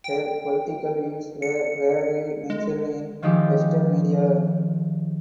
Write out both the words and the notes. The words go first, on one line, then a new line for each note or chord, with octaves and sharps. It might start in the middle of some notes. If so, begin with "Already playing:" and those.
Her political views were rarely mentioned in Western media.
G5
C#7
G#3
D#3 F3 G#3 D#4 E4 G4